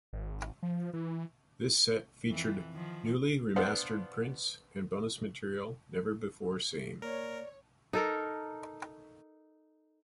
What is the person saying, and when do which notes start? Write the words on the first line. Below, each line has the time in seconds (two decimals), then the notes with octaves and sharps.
This set featured newly remastered prints and bonus material never before seen.
0.13 G#1
0.63 F3
0.93 E3
2.27 F2 E3
2.73 D#3 F3
3.56 B3 D4 C5 F5 F#5
7.02 A#3 A#4 C#5 D5
7.93 D#4 A4 A#4